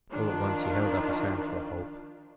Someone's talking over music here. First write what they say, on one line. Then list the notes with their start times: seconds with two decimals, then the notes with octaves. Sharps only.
All at once he held up his hand for a halt.
0.12 D#3 F3 D4 F4